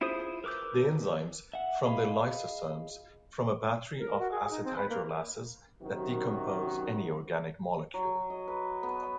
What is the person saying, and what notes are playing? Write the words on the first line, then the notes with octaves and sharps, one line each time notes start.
The enzymes from the lysosomes form a battery of acid hydrolases that decompose any organic molecule.
E4 F4 G#4 C5 D#6
A#4 B4 D6 E6 G6
E5 F#5
G#4 D#5 F5 B5
A#4
F#4
G#4
D#4
C4
B4
A#3
F#2 C3 D#3 F#3 F#4 A#4
F#3
D#5
B4
B3